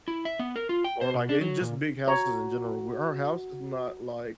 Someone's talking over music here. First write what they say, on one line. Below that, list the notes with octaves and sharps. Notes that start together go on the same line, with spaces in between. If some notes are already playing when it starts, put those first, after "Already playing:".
or like in just big houses in general, our house is not like
E4
E5
B3
A#4
F4
G5
C5
B2
D4
F#3
A#2
F#4 C#5 A#5